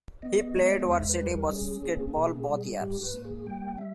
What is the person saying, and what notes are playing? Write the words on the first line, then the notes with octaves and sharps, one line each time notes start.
He played varsity basketball both years.
B3 D#5
G#3
E2 E5
B4
G3
A#4
C#4 G#4
A#3
B2
G3
G#2 G4
B4
A#3
G#4
G3 G5
G3 E5